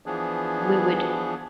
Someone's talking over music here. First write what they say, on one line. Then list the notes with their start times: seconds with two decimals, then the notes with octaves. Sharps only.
we would
0.06 E3 F3 B3 D4 G#4